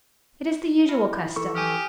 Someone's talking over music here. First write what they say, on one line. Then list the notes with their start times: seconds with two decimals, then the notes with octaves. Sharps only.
'It is the usual custom.'
0.89 E4
1.36 E3 A4 C#6
1.55 G4 G#5 D#6 F6